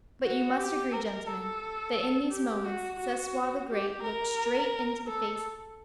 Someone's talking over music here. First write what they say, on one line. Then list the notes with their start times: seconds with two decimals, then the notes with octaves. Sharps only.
But you must agree, gentlemen, that in these moments Sesoi the Great looked straight into the face of death.
0.23 F#4
0.58 G4
0.92 A#4
1.27 A4
2.31 G4
2.65 F#4
3.00 F#4
3.69 G4
4.03 A#4
5.07 A4